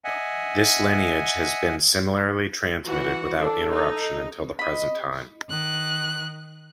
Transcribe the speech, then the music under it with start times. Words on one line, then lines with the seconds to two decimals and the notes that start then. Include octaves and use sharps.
This lineage has been similarly transmitted without interruption until the present time.
0.04 D#5 E5 F#5 G#5
2.84 E3 F#4 F#5
3.40 D4 A4
3.72 D#4
4.59 D#5 B5
5.49 D#3 F#6